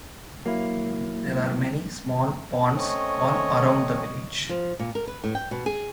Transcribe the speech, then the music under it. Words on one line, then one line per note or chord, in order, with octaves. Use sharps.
There are many small ponds all around the village.
F#3 A#3 E4
A3 C4 C#4 C#5 D#5
F3
A#2
A#4
B4
A2
G5
B2
G#4